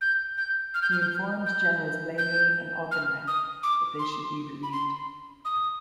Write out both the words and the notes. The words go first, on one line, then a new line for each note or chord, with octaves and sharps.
He informed Generals Blamey and Auchinleck that they should be relieved.
G6
G6
F6
G6
F6
G6
G6
G6
F6
D#6
D6
C6
B5
C6
D#6